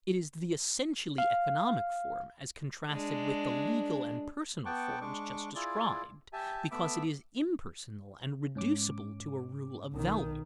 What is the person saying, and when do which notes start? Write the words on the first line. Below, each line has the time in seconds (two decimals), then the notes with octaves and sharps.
It is the essentially economic form, as contrasted with the legal and personal forms just described, because it is impersonal and reducible to a rule of value.
1.18 F5
2.90 G#3 D4
4.66 B3 F#5 G5 A5 C#6 D6
5.01 G#3 D4 C#6 D6
5.55 E4 F4 G#4 D5
6.33 G4 E5 G#5 A5
6.71 A3 B3 E5 B5 D6 E6
8.55 G#2 C#4 D6
9.94 B1 D#3